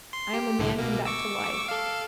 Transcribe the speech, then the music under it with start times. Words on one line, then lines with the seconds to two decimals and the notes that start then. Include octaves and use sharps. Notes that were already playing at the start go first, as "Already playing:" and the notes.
I am a man come back to life.
0.13 C6
0.34 G4
0.59 C2 A2 D3
0.78 B2 A#3
1.05 C#6 D6 E6
1.68 A4 F5